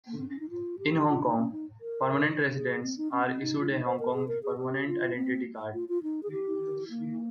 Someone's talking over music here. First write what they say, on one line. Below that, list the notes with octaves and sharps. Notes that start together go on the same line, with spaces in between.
In Hong Kong, permanent residents are issued a Hong Kong Permanent Identity Card.
A#3
C4
C#4
D#4
F4
G4
F4
D#4
C#4
D#4
A#4
G#4
C4
D#4
C#4
C4
D#4
F4
D#4
C5
A#4
G#4
A#4
G#4
G4
F4
C4
F4
F4
D#4
G#4
G4
A#3